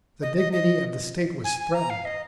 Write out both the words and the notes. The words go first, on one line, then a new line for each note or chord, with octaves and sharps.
The dignity of the State was threatened.
D#5
D#5
D#5
G#5
G#5
A#5
F5
D#5